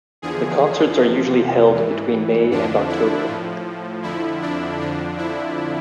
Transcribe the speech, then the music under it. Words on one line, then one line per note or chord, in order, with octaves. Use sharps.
The concerts are usually held between May and October.
E2 D3 F3 G#4
E2 C3 F3
G#2 E3
F2 D3 F3 D4
E4
A2 F3
F2 D3 F3 E4
D4
F2 D3 F3 D4
E4